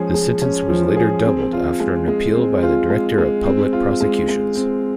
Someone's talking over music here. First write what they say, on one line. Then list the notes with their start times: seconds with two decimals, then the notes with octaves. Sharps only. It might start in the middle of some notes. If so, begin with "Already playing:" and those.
The sentence was later doubled after an appeal by the Director of Public Prosecutions.
Already playing: F3 G#3 C#4 G#4
0.14 G#3
0.42 C#4
0.70 F3
0.96 G#4
1.24 C4
1.53 F4
1.80 G#3
2.08 G#3
2.35 C4
2.63 F4
2.90 G#3
3.18 G#3
3.46 C4
3.73 F4
4.00 G#3
4.28 G#3
4.55 C4